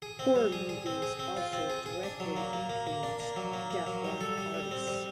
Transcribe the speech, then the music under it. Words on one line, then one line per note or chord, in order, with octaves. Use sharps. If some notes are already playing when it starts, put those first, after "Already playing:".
Horror movies also directly influenced deathrock artists.
G#4
C4
G3
G#4
G#4
C4
G#4
C4
F4
C4
G#4
G#4
D4
F#3
A#3
A#3
A#3
A#3
D4
A#3
F#3
A#3
A#3
F#3
G3
A4
G3
G3
C4
G3